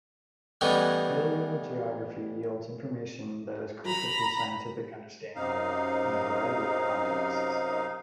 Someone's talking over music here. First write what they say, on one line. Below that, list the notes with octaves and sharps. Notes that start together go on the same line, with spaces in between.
Paleogeography yields information that is crucial to scientific understanding in a variety of contexts.
A2 E3 G3 B3 C#4 D#4
A#5 B5
F#2 C3 D#4 F5